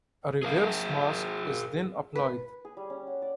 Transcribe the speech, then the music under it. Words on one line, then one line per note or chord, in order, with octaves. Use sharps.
A reverse mask is then applied.
G#4 A#4 F5
B4
G#4
G3
C#4
F#5
D5